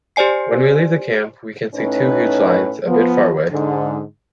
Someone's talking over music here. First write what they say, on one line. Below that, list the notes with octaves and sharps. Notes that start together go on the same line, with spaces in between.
When we leave the camp, we can see two huge lions a bit far away.
G4 C5 D5 G#5 C7
A2 C#4 D#4 B4 C#5
F3 B3
G#2 D3